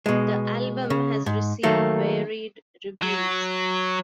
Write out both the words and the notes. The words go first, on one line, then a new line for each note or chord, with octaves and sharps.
The album has received varied reviews.
B2 G#3
C#3
G#2
D#3 F#3 A3 A#3
F#3